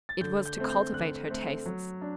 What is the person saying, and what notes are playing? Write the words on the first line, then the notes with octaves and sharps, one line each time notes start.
It was to cultivate her tastes.
A6
D3 G6
G6
A3 C4
G6
D3 F#6
A3 C4
F#3
D4